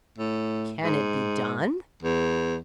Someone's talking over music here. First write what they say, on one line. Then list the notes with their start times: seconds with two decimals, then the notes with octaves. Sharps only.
"Can it be done?"
0.18 A2
0.84 G#2
2.02 E2